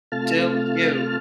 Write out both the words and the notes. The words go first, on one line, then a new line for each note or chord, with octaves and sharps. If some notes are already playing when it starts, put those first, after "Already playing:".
do you.
C3 A3 F4 A5 F6